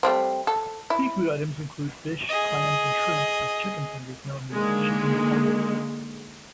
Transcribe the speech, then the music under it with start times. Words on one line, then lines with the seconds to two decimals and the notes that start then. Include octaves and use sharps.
Seafood items include fish, clams, and shrimp, with chicken fingers known as "Chicken Planks".
0.03 G3 A3 C4
0.47 A4
0.90 E4
2.29 G#4 D#5
4.51 D3 D#3 G#3 A#3